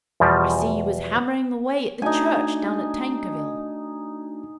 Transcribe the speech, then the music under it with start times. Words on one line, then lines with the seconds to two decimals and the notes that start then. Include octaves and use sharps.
"I see you was hammering away at the Church down at Tankerville."
0.20 E2 B2 F3 G3
2.02 A3 D4 D#4 F#4 G#5